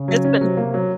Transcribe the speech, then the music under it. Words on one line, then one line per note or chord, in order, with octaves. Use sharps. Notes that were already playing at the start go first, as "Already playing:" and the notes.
It's been
Already playing: C#3
F#3
C#4
C3 F#3
A#3
F#3